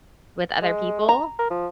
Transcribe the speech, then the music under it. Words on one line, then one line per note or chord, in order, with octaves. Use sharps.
with other people,
G#3
A#5
A#4
F3